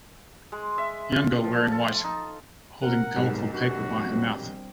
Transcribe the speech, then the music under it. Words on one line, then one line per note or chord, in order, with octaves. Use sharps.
Young girl wearing white holding colorful paper by her mouth.
G#3
E5
F4
F3
A4
D#4
C3 A#4 F#5
D#1 B1 G#2 G4
F1 D4 F#4
G3 C4